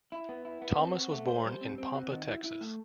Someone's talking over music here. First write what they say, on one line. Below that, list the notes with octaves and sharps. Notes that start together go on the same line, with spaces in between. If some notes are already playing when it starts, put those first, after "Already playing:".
Thomas was born in Pampa, Texas.
E4
B3
E4
B3
C4
F#4
A3
C5
G3
C4
C4
F#4
D#3
E4
E4
A3